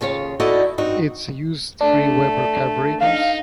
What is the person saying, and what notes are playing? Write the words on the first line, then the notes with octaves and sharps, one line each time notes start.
It used three Weber carburetors.
D#2 C#3 F4 C#5
D#4 E4 F#4 A4 D5 D#5
G2 C4 D#4 F#4
A3 D4
D#4 F5